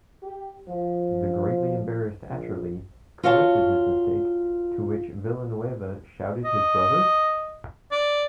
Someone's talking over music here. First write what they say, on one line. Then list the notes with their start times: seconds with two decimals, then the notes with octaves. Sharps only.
The greatly embarrassed Atcherly corrected his mistake, to which Villeneuve shouted His brother?
0.23 G4
0.68 F3
2.30 A#1
3.23 F4 F#4 C#5 F5 G#5 A5
6.45 D#5
7.92 D5